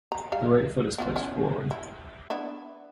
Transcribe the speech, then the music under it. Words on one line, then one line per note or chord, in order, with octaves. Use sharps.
The right foot is placed forward.
A#5
G3 F5
B3 F4 F#4
B3 C#4 E4
E4
B3 D4 E4